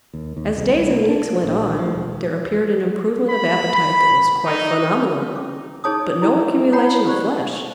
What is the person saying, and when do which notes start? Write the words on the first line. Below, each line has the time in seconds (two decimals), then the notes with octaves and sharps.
As days and weeks went on, there appeared an improvement of appetite that was quite phenomenal, but no accumulation of flesh.
0.14 D#2
0.37 D#2
0.57 C2
0.90 A#3
1.09 D4
1.43 A#1
1.79 F3
1.95 E1
3.30 B5
3.75 B5
4.45 D#4
5.35 C#4 D6
5.84 D#4 G#4 C#5 A5 D#6
6.22 E4 G#4 D#5
6.72 E4 C#5 F#5 G5 A#5 B5
7.07 G4 C5 D5